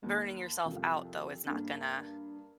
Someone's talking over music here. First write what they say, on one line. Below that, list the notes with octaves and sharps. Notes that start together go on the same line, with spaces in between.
burning yourself out though is not gonna
D#2
C2 F2 F3
G2 A#3